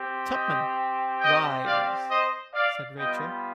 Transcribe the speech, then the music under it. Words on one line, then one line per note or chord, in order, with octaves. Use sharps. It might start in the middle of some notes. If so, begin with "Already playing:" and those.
'Tupman, rise,’ said Rachael.
Already playing: C4 G4
D#5 G5
D#5 G5
D5 F5
C5 D#5
D5 F5
G3 B3 F4 D#5 G5